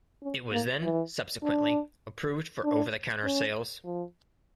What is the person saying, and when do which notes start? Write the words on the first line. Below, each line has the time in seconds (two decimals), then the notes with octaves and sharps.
It was then subsequently approved for over-the-counter sales.
0.22 C#4
0.52 A#3
0.83 E3
1.43 D4
2.64 D4
3.24 C#4
3.84 F3